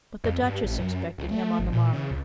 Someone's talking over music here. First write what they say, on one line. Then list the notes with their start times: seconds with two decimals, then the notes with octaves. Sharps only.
But the Duchess expected him on the morrow.
0.24 F2
0.42 G2
0.63 A1
0.78 F#2
1.18 C#2
1.31 A3
1.59 G#1
1.72 A#2
1.93 C#3
2.11 C#2